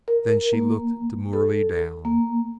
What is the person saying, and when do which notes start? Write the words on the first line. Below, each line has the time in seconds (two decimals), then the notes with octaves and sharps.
Then she looked demurely down.
0.08 A#4
0.53 A#3
1.33 A4
2.05 A#3